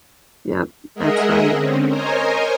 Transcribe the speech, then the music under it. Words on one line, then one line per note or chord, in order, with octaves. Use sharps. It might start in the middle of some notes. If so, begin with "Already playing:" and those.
Yep, that's right.
G#3 G#4 A#4 D#5 E5 F#5
D3 C4 C#4
A#4 C5 C#5 D#5 G#5 A#5